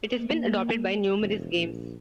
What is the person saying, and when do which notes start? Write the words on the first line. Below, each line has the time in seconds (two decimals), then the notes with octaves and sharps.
It has been adopted by numerous games.
0.18 A#3
1.20 E1
1.56 A#1